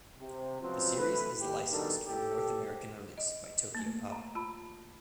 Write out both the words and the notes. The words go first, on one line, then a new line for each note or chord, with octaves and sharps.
The series is licensed for North American release by Tokyopop.
C3
C#2 F3 F#3 B3 C4
E3 A3 E4 B4
D#2 G4
B2 D#3 G3 A#3 D4 A4
A2 G4 A4
D#5
A3 A#3
A5 A#5
F4 A5 B5